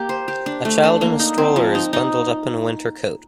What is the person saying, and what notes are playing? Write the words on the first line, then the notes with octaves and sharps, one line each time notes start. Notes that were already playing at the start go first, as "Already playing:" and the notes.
A child in a stroller is bundled up in a winter coat.
Already playing: A#3 G4
C5
G4
D4
A3
D4
A#3
D#4
C4
F3
D#4
D#4